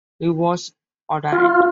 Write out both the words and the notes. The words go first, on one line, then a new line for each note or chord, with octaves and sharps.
He was ordained.
F4